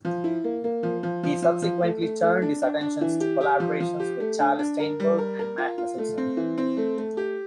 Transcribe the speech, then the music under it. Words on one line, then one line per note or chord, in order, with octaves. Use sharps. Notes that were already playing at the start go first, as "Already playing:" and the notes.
He subsequently turned his attentions to collaborations with Charley Steinberg and Matt Meselson.
F3
E4
A#3
A#3
F3
F3
F3
F3
F3
A3
A3
A3
D4
D4
D4
E3
G4
G4
F3
F3
G4
A3
D4
D4
A#4
G3
A#4
A#4
F4
F4
A3
C4
E3
C4
A3
A3
G4